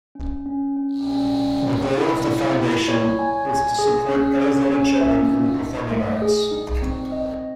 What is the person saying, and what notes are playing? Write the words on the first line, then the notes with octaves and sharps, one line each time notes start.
The goal of the foundation is to support Arizona children in the performing arts.
C#4
C#4
C#4
C#4
C#4
C#5
E4
E4
E4
C#5
G#5
G#5
G#4
C#4
C#5
C#4
E5
D#4
D#4
A3
G#4
D#4
C4
D#5